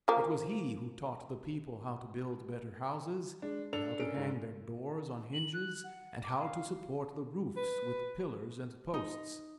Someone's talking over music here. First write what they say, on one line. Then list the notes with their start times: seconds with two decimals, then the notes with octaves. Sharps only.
It was he who taught the people how to build better houses and how to hang their doors on hinges and how to support the roofs with pillars and posts.
0.08 F3 A#3
3.42 G#3 D4
3.73 D4 A4 F7
3.99 C#4 A#4 D7
4.17 G#2 D3
5.34 F#7
5.54 F#6
5.84 F#5
6.23 D6
6.39 F5
7.56 B4
8.94 D#4